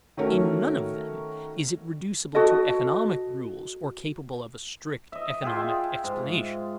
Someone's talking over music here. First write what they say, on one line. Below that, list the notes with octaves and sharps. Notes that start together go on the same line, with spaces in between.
In none of them is it reducible to economic rules or capable of a strict economic explanation.
D#3 A3 C#4 F#4 A#4 C#5
F#4 A4 D#5
D#5 E5
F4 G#4 E5 G5
G#2